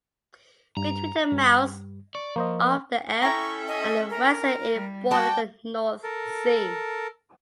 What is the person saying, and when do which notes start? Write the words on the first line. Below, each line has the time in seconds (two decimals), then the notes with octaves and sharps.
Between the mouths of the Elbe and the Weser it bordered the North Sea.
0.77 G2 A#5
1.32 G2 G3
2.15 D5 C#6
2.36 F3 A#3 C5 D#5
3.22 C#4 E4 A4 E5 G5 A#5 C#6
3.68 D#5
4.10 A#4
4.75 G3
5.11 F#4 D5 G5 A5
6.03 A4 A#4